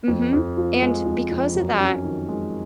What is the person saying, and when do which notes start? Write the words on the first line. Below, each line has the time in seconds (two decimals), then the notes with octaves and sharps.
mhm. And because of that
0.08 F2
0.33 F2
0.57 F3
0.82 G#3
1.06 F2
1.31 F2
1.55 F#2
1.80 C#4
2.03 D#3
2.29 G#3